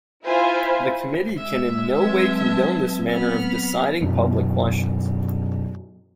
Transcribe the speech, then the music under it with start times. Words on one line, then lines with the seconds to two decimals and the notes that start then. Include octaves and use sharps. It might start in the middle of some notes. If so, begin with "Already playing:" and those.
The committee can in no way condone this manner of deciding public questions.
0.24 E4 F4 C5 E5 G#5 B5
1.37 G#3 E5
1.99 F#3 C4 B4 A5 G#6
3.09 B3 B5 F6
4.01 F#2 B2 E3